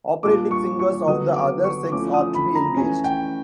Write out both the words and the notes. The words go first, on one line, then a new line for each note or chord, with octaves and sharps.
Operatic singers of the other sex are to be engaged.
A#2 G3 A#3 D4 D6
C#6
C#6
D3 F#3 B3 D#6
D6
C#6
F3 A3 C#4 E4 D6
D#6
B5
A#5
E3 A3 C#4 G#5
G5